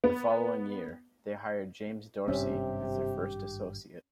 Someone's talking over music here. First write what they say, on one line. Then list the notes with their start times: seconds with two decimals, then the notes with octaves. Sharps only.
The following year, they hired James Dorsey as their first associate.
0.04 B3
2.28 G#1 G2 C3 C4 C#4 G4 E5